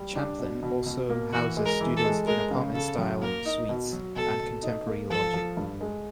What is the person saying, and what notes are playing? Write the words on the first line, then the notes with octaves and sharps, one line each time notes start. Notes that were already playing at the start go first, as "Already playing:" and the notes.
Champlain also houses students in apartment-style suites and contemporary lodging.
Already playing: G3
D4
B2
B2
B2
A#3
E3 F#4
G#3
A#4
E3
A4
G#3
G#3 A#4
C#3
C#3 A4
F#2
A#3 A#4
D#4
B2
F#3
B2 A4
B2
D#4
A#3
F3 A4
F3
G2
G#3